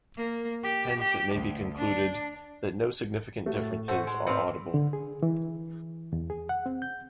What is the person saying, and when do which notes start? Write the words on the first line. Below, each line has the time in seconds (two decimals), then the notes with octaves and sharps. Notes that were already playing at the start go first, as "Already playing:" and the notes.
Hence it may be concluded that no significant differences are audible.
0.17 A#3
0.63 G4
0.99 G4
1.34 D2
1.78 D4
3.46 A3 F#4
3.60 A2 A6
3.88 A3 F#4 C5 F#5
4.07 G#3
4.27 G#2 C4 B4 D5 F5 C#7
4.74 D3
4.93 G#4
5.23 E3
6.13 E2
6.30 G#4
6.49 F#5
6.66 C4
6.82 G6